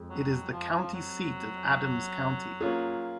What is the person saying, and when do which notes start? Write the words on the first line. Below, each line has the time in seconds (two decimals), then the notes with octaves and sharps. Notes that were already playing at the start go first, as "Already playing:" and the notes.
It is the county seat of Adams County.
Already playing: F2 G#3
0.09 F#3
0.52 F3
0.93 F#3
2.61 A#3 C#4 F4 G#4